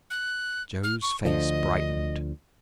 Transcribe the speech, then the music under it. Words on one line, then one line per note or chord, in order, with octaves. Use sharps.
Joe's face brightened.
F#6
F6
C#6
D2 D3 F3 D#5